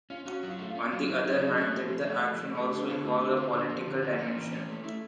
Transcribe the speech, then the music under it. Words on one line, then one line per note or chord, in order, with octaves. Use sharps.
On the other hand, did the action also involve a political dimension?
C#4 F4
C#4 F#4
F#3 F4
A3
C#4 F4
F#3 F4
F#3 E4
F#3 D#4
F#3 D4
A3 C#4
F3
F3
A3
F3
A3
A3
D3
D3 F4
A3 E4
D3 F#4
C4 F4
D3 F4
F3
D3
F3
C#4
E3
C#4
A3
A3 E4